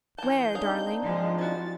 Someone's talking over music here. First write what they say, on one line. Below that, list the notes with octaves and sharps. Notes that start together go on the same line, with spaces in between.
"Where, darling?"
E3 A5 G6
C4 D4 D#4 G#4 F5 A#5
F3 G#3
E4 F#4 A6